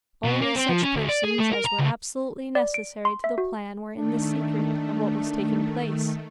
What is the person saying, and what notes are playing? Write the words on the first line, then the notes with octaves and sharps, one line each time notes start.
Only such persons as were absolutely necessary to the plan were in the secret of what was taking place.
B2
A#3
C4
F3
C#4
D2
D5
G#4
A3
A#4
A#5
C#2
D5
D7
C6
E5
F#4
D#3 A3 D4